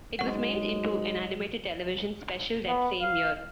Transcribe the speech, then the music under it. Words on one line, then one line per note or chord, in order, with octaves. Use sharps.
It was made into an animated television special that same year.
G#2 F#3 G#3 F#5 C#6
B3
F5